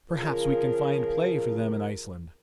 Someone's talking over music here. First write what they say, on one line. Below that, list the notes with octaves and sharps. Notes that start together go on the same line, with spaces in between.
"Perhaps we can find play for them in Iceland."
C#3 F3 F4 G#4 A#4